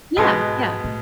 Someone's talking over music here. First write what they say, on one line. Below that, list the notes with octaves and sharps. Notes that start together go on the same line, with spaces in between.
Yeah, yeah.
G#2 B2 G#3 B3
A2